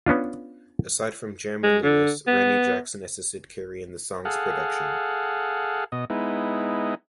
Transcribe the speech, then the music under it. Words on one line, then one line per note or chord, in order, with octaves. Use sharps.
Aside from Jam and Lewis, Randy Jackson assisted Carey in the song's production.
B3 C#4 D4 F4
G#3
D3
B3
G#4 A4 F5 F#5
B2 D#5
G#3 B3 D#4 E4